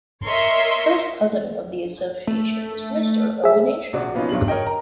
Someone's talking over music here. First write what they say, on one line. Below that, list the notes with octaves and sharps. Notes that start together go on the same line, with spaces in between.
The first President of the association was Mr. Owen Aisher.
A#4 C#5 D#5 E5 C6 C#6
A3
G#4 E5
A#1 C3 F#4 D5
F3 A#3 B3 C#4 D#4 F4
B1 F#3 D4 F#7
A#4 C#5 D#5 G5
A#5